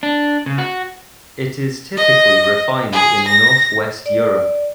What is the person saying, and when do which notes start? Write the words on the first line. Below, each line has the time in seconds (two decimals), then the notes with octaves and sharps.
It is typically refined in Northwest Europe.
0.03 D4
0.46 C#3
0.58 F#4
1.97 D#5
2.93 G#4
3.28 A#6
4.06 D5